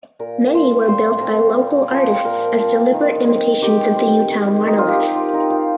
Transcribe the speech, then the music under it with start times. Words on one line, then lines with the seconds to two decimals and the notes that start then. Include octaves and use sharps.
Many were built by local artists as deliberate imitations of the Utah monolith.
0.19 A#2 A#4
0.53 F3 C4 C5
0.88 A#2 C5
1.21 F3 C4 A#4
1.56 A#2
1.91 F3 C4 C5
2.24 A#2 A#4
2.59 F3 C4
2.94 D#3
3.27 C4
3.62 D#3 G4
3.96 C4
4.30 D#3
4.65 C4 D#4
4.78 F4
4.89 G4
4.99 D#3 A#4
5.16 F4
5.33 C4 D#4
5.50 F4